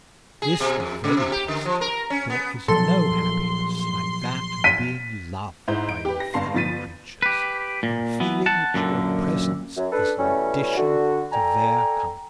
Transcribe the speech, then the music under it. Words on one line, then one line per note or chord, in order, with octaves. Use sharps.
This was very pleasant; there is no happiness like that of being loved by your fellow-creatures, and feeling that your presence is an addition to their comfort.
G#4
B2
F2
C#3
B2
G4
D3
F3
A#4
C#4
B3
A#2 F3 F#3 A4 C6
B6 D#7
G#2 E4 C5 G6
D7
G4 B4
A#6
G1 G2 F5 A5 C6 C7
G1 F3 A6 B6 D#7
G4 B4
A#2
E3 B3
F#5 A5
F#2 A#2 D3
F#2
D4 A4 B4
B2 E3 G3 A3 C#4
D3 F#4
A4 D5 G5 G#5 A#5